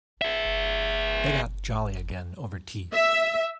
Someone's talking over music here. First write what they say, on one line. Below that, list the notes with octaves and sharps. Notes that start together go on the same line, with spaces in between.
They got jolly again over tea.
G#4 E5
E5